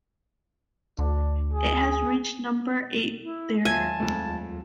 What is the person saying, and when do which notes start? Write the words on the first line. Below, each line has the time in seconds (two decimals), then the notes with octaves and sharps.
It has reached number eight there.
0.99 D2 D4
1.53 G#4
3.23 E4
3.65 D#2 F#3 F4 E5 G#5 A5
4.00 F2 G#2 A3